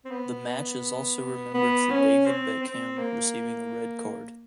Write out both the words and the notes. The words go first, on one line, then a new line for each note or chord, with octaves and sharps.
The match is also remembered for David Beckham receiving a red card.
C4
B3
B3
C#4
C4
C4
A#3